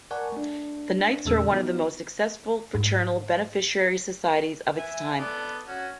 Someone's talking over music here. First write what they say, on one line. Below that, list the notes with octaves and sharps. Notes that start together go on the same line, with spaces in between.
The Knights were one of the most successful fraternal beneficiary societies of its time.
A#4 D5 F#5 G#5 A5 C#6
A3 D4
E2 A#2 C#3 G#3 A4 E6
F3 B3 D#4 F#4
G#2
E5 G#5
B3 A4 D5
C#4 F#4